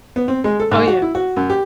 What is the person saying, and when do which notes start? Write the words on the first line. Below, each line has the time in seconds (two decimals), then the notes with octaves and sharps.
Oh, yeah.
0.16 B3
0.28 C4
0.44 G#3
0.60 A4
0.71 G#2
0.88 F#4
1.02 E4
1.15 F#4
1.37 F#2
1.50 G4